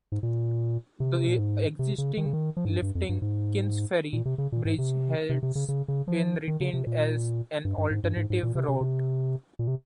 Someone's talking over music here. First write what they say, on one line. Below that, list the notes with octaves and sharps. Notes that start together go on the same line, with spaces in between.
The existing lifting Kingsferry Bridge has been retained as an alternative route.
G#2
A#2
C3
A#2
G#2
C3
C#3
D#3
C#3
D#3
F3
G#2
G2
G2
F2
G2
G#2
A#2
C3
C#3
A#2
G#2
C3
C3
C3
C#3
C#3
C#3
F3
D#3
C#3
C3
A#2
G2
G2
G#2
G2
G#2
G#2
A#2
C3
C3
C3
A#2
C3